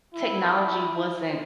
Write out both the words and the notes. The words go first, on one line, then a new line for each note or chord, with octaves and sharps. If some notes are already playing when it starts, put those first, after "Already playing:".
technology wasn't
E4